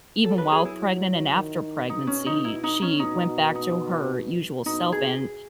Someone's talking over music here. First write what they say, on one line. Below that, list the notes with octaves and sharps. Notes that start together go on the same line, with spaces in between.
even while pregnant and after pregnancy, she went back to her usual self and,
F#3 A4
B4
G#4
E4
F#3
D#3
B2 D#4
C#4
D#4
E4
D#4
C#4
B2 D#4
D#4
B2 D#4
G#4